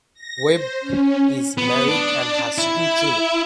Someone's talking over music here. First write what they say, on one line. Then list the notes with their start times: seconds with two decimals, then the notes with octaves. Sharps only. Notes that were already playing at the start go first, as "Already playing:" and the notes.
Webb is married and has two children.
0.14 A#6
0.50 C5
0.81 C#4
1.58 B3
1.88 D4
2.58 E4